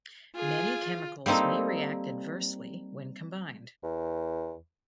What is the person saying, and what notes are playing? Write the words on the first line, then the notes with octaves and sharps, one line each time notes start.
Many chemicals may react adversely when combined.
F4 G#4 G#5
G3 A#3 C4 D#4 A4
E2